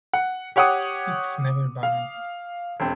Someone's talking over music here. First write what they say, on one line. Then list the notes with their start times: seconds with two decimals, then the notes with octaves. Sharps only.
It is never banal.
0.13 F#5
0.56 G4 C#5 F#5 D6 D#6
1.83 F5
2.80 E1 C4